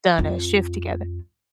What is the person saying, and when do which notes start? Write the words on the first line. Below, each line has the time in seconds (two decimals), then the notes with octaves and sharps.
done a shift together-
0.19 F2 F4